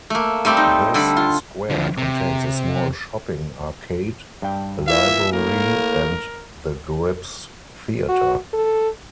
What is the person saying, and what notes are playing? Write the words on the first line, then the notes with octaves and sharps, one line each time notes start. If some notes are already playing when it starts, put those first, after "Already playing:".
This square contains a small shopping arcade, a library and the Grips-Theater.
A3 A#3
G3 A3 C4 D5
D#4
D3 G3 A4 B5
F4
D3 F3
C3
G2 G5
E3 A#3 F4 E5 F5
A2 A#3 A#4
F#4
A4